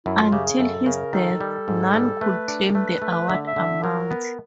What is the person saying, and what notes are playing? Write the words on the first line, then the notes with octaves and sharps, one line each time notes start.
Until his death none could claim the award amount.
F#2 E4
F4
C#3 G4
G#4
F#2 A4
C#3 A#4
D#3 A4
G3
G#2
G3
A3 B4
D4
A#4
A3 B4
A3
D3 E5
E5
D3
F#3 A#4
B3